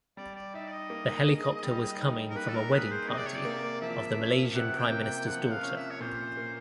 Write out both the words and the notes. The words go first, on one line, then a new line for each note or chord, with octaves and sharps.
The helicopter was coming from a wedding party of the Malaysian Prime Minister's daughter.
G3 D5
D5
D#4 E5
D5
D#5
A#3
G#4
G3
D#4
A#4
A#3 B4
A4
A#4
G#4 B4
C5
C3 D#5
D5
C#5
D5
A#3
F3 E5
C#4
C3 F#5
G5
A#3
G5
F3 F#5
F5
C#4
E5
C#5
A#2 C5
A#3